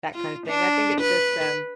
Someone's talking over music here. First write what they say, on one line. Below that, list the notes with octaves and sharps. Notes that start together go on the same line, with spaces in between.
that kinda thing, I think it just, um,
F4
D4
B4